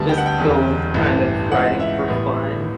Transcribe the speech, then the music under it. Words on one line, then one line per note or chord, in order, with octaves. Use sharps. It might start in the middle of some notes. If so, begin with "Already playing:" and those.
just go kind of riding for fun,
Already playing: D2 D3 G3 B3 A5
G5
F#5
G5
E1 E2 C#3 G3
A1 G2 E3 A3
C#2 C#3 E3 F#5
E5
A1 A2 G3 B3